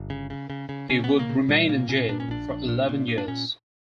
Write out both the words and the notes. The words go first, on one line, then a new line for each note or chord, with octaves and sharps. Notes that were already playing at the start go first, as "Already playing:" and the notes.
He would remain in jail for eleven years.
Already playing: G1
C#3
C#3
C#3
C#3
C#3 C#4
B3
C#3
A#3
C#3
A#2 G3
A#2 A#3
A#2 C#4
A#2 D4
C#4
A#1 D4
A#1
A#2
A#2
A#2
D4
A#2 C#4